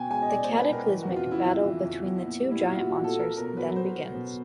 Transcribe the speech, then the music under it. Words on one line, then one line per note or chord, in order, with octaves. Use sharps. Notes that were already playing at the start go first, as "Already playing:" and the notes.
The cataclysmic battle between the two giant monsters then begins.
Already playing: B2 B3 G5 G#5
G#3 G#5
D#5
B2 D5
C5
B3
B4
B2
A#4
E3
F2 F#4
F4
C#3
E4
F2
E3
F2
B3
A#2
G3
E4
A#2 F4
F#4
B3
A#2
A4
B3 A#4
B2 A#4
F#3 B4
B2 C5
B3
B2